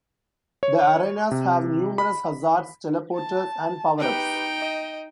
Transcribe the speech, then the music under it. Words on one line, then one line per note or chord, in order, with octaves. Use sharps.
The arenas have numerous hazards, teleporters and power-ups.
C#5
C3
B5
A5
D#4 G4 B4 G5
D#5